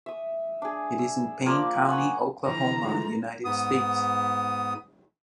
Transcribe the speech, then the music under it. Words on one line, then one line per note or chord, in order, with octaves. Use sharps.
It is in Payne County, Oklahoma, United States.
E5 D#6
D4 G#4
E6
F3 A#3 D5
F#5 G#5 C#6 D#6
D3 E3 F3 A#5
G#3 A3 F4
G#2 B3 D#6